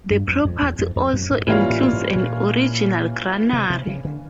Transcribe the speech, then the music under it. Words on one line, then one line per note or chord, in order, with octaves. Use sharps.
The property also includes an original granary.
G2
F2
F2
E2
F2
F2
F#2
G#2
G#2 E3 G3 A#3 C#4 F4
A2
G#2
A#2
C3
C3
C#3
D3